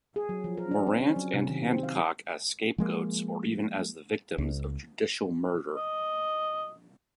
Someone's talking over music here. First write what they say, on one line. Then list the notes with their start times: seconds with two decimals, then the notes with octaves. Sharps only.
Morant and Handcock as scapegoats or even as the victims of judicial murder.
0.16 G#4
0.29 F#3
0.44 F3
0.57 A#4
0.71 D4
0.87 C4
1.00 C#4
1.16 F#3
1.34 C3
1.49 D#3
1.67 C4
1.83 F5
2.78 F3 G#3 A#3
4.38 C#2
5.76 D#5